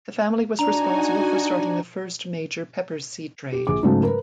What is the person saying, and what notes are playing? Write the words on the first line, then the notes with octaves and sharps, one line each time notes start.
The family was responsible for starting the first major pepper sea trade.
D4 D#4 F#4 G#5 A#5
G4
A#1 G#4 D6
G#2 C#3 F#3 A3
A#4 B4